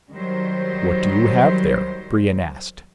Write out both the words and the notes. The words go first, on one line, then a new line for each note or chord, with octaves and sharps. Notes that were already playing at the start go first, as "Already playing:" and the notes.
"What do you have there?" Brion asked.
D#3 F#3 G3 C5